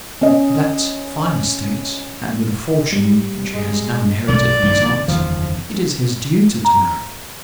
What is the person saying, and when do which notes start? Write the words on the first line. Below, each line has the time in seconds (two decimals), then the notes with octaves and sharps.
With that fine estate--and with the fortune which he has now inherited from his aunt--it is his duty to marry.
0.21 C#4 D#5
2.92 G3
3.54 G#3
4.28 B1 B2 A3 D5
4.62 A#1 G#2 D#3
5.08 F#1 E2 D#3 F3
6.65 A#5